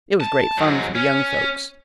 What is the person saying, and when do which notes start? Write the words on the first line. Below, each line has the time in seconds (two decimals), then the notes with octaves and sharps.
It was great fun for the young folks.
0.20 A5
0.58 G#2 F#3
0.95 C#4